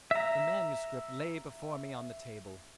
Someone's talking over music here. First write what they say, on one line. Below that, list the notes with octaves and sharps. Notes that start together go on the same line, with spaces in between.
The manuscript lay before me on the table.
E5 A#5